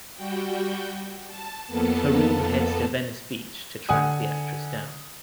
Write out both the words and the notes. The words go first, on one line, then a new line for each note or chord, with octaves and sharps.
Karoo heads to Venice Beach to track the actress down.
G3 F#4 G5
A5
F2 A#3 B3 A4 A5
D3 F#5 G#5 D#6